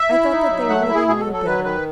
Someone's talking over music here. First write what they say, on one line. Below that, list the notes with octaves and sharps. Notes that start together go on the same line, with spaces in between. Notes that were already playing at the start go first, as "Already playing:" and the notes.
I thought that they really knew better.
Already playing: E5
E4
D#4
F#3
A3 F#5
E5
E4
G#4
B2 G#4
A4
F#3
A4
F#3 B4
D#3 B4